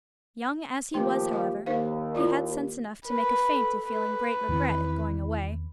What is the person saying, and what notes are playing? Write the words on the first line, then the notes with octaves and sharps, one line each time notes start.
Young as he was, however, he had sense enough to make a feint of feeling great regret at going away.
D#2 F3 A3 G4 C6
D#5 F5
D#2 D#4 C5 F5
E4 F4 D5
A#4 B4
A4
B4
E2 D#3 C4 E4